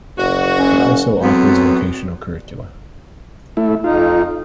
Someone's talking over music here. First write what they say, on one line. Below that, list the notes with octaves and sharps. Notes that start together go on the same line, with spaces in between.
It also offers vocational curricula.
F#1 F#4
C#4
F#2 A2 F#3 B3 C4
A3 E4
F2 D#4 F4